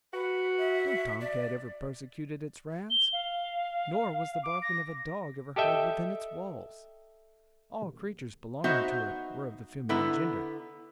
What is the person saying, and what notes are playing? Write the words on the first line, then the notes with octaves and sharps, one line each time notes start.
No tom-cat ever persecuted its rats, nor was the barking of a dog ever heard within its walls; all creatures belonging to it were of the feminine gender.
F#4 B4
E5
D5
G7
F5
D6
A#6
G4 A4 D#5 E5 G5
B3 D#4 F#4 C5 E5 F#5
D3 B3 E4 A#5